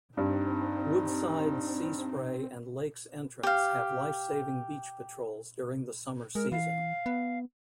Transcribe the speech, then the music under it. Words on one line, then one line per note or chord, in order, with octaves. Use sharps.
Woodside, Seaspray and Lakes Entrance have life saving beach patrols during the summer season.
G2 C4 D#4
G4 F5
G#3 A#4
E3 F5
B3